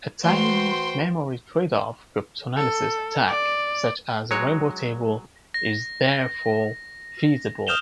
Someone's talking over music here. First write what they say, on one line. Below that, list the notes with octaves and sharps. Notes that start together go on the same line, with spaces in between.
A time-memory trade-off cryptanalysis attack, such as a rainbow table, is therefore feasible.
E3 A3 F#4 B4 C5 G5 C6
A4
D5
F#3 G#3 C#5
A#6
D#6 F6 G6 E7 F7 G7